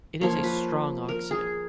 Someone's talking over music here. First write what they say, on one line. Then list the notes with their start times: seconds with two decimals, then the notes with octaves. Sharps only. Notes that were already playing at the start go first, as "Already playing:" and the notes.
It is a strong oxidant.
0.21 F3 A#3 C#5
0.44 B4
1.09 A#4
1.31 G#4